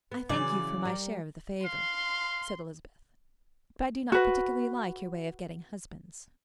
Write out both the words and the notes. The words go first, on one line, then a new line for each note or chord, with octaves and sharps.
"I thank you for my share of the favour," said Elizabeth; "but I do not particularly like your way of getting husbands."
B3
C#3 E3 F#3 D5
G3 A#4
F5 C6
F#4 B4